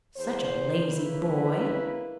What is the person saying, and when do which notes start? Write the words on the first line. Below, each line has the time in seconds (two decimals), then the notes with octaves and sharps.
Such a lazy boy!
0.16 E2 C5
0.86 C#3 A#3 E4 B4